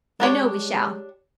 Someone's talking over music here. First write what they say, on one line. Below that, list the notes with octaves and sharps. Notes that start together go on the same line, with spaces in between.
'I know we shall.
G#3 D4 G4 C#5